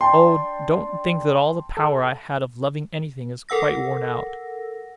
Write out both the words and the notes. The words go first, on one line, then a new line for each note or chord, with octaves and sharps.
Oh, don't think that all the power I had of loving anything is quite worn out!
D4 G5 A5 C6
A4
A4 A#4 F#5 E6 A#6